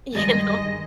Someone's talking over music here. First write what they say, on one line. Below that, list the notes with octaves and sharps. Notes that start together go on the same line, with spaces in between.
you know.
G2 D#3 G#3 D#5